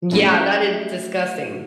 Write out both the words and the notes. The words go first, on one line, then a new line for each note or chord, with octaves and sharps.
Yeah, that is disgusting.
F#3 A3 C#4 E4 F#4